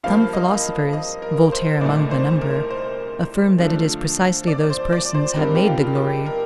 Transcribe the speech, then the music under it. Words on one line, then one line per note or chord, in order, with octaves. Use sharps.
Some philosophers--Voltaire among the number--affirm that it is precisely those persons have made the glory.
G2 F3 A#3 F5
D#5
D#5
A#4
C5
C2 A#2 A3 D#4 D5
C5
A#4
C5
D3 F3 A3 D4 F4
D5
C5
D5
C5
G2 D3 G3 C4 D#4 A#4
G4
F4
G4
A#4